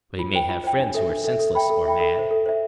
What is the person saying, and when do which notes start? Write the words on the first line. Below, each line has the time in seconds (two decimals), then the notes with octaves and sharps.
But he may have friends who are senseless or mad?
0.19 F4
0.34 C5 G5
0.49 F4
0.64 C5 G5
0.79 D4
0.94 A4 E5
1.09 D4
1.24 A4 E5
1.39 A4
1.55 E5 G5 B5
1.70 A4
1.86 E5 G5 B5
2.00 A4
2.15 C5 E5
2.31 A4
2.46 C5 E5